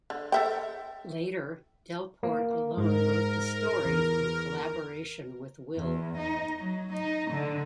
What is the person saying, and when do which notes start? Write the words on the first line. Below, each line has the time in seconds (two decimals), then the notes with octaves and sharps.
Later, Delporte alone wrote the stories in collaboration with Will.
0.10 D3
0.32 A4 E5 G5
2.23 A#3
2.77 G#2 A#4
3.85 E2
5.76 E2
6.17 D#4
6.59 F#3
6.92 D#4
7.30 D3